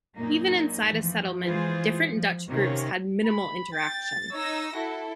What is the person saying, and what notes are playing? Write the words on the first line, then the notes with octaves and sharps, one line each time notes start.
Even inside a settlement, different Dutch groups had minimal interaction.
F#2 A#2 A#3 D#4
E3 F3
E3 G#3 F4 G#4 C5
F3
C3 D#3 C#4 A#4 C#5 F5
B5
G5 A6
D#4 C#5 E6 A#6
E4 F#4 A4